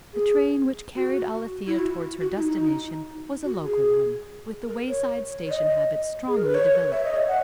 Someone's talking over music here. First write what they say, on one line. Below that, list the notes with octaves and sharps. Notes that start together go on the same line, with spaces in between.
The train which carried Alethia towards her destination was a local one, with the wayside station habit strongly developed.
G#4
F#4
E4
F#4
F#4
E4
D#4
F#4
G#4
A#4
C#5
C#5
D#5
G#4
A#4
B4
C#5
E5
D#5
C#5
F#5